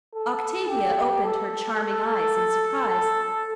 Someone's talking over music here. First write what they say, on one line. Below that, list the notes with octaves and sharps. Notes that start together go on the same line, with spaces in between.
Octavia opened her charming eyes in surprise.
A4
G4
A4
A4